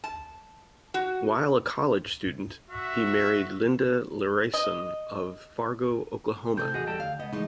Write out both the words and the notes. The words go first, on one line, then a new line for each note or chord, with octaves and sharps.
While a college student, he married Linda Larason of Fargo, Oklahoma.
A5
F#4
F#4 E5
D#5
A2 C3 C4 A4 G6
E2 F#4 G#4 D#5
G3 G4 A4
D2 F5
C#2 B3 D#5
A2 E3 G#3 D#4